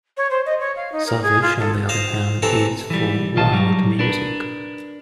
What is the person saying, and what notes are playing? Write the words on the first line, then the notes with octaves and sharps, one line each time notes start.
Savage, on the other hand, is for "wild" music.
C#5
C5
D#5
C#5
F5
D#4
A#4
G#4
F4
A4
F4 C5 D#5 F5
C3 E3 C4 A4 A#5
E3 G3
B1 D#3 F4 D#5 A5
F#3 G3
D4 A#4 B4